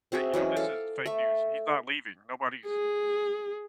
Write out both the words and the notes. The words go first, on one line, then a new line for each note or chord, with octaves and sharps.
"Hey, you know, this is fake news. He's not leaving, nobody's
C4 F#4 G#4 E5
E3 F#3 G#3 C#4
A4 F5 D6
A3 E5
G#4